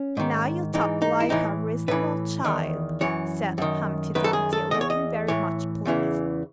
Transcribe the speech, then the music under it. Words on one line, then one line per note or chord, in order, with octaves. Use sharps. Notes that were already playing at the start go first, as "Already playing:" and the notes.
'Now you talk like a reasonable child,' said Humpty Dumpty, looking very much pleased.
Already playing: C#4
G#2 D#3
G#2 E3 D#4
D#4
E4
A2 E3 D#4
A2 E3 B4
E2 D#3
F#2 E3 C#5
F#2 D#3
F#2 D#3 B4
A4
G#4
A4
E2 B2 D#5
C#5
D#5
A2 E3 C#5
E2 C#3 E3